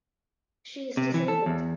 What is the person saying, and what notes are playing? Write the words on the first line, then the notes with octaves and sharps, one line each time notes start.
She is disabled.
C3
E3
A4
E2